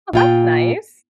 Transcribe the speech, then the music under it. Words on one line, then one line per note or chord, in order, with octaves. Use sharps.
Oh, that's nice.
A#2 F4 G5